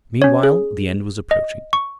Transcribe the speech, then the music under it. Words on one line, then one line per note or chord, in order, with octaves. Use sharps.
Meanwhile the end was approaching.
C#4 C#5
G#4
D#5
C#6